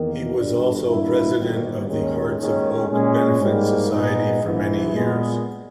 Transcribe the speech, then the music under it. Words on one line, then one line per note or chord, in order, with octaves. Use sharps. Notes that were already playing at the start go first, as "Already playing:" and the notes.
He was also president of the Hearts of Oak Benefit Society for many years.
Already playing: E2 D#3 A#3
G1 G2 G3
G1 G2 D#3 A#3 E4
G1 G2 D#3 A#3
D#2 D#3 G#3 C#4
D#2 D#3 G#3 C#4
A#2 G#3 C#4
G#2 G3 A#3
A#2 G#3 B3 D#4
A#1 G#2 E3
A#2 G#3 B3